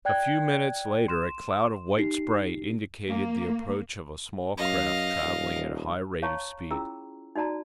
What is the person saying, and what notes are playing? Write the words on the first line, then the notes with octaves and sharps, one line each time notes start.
A few minutes later a cloud of white spray indicated the approach of a small craft travelling at a high rate of speed.
D5 G5 F#6 G#6
C6 E7
D#4 G4 C7
A#3
F#2 D#5 F5
D#1
C#5 F5 A5 A#5 C#6
C#4 E4 F4 G#4 A#5 E6
D#4 F#4 D5 A5 A#5